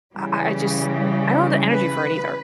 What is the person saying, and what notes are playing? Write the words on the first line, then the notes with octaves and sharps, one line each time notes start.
I I I just I don't have the energy for it either,
C#3 E3 G3
B4